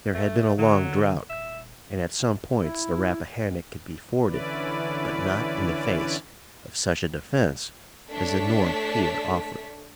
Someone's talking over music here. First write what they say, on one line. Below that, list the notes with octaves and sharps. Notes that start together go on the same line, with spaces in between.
There had been a long drought, and at some points the Rappahannock could be forded, but not in the face of such a defence as the North here offered.
A3
D3 F#3
D#1 E5
E4
D3 E3 C#4 E4 B4 D5
A3 D4 C#5 A5 B6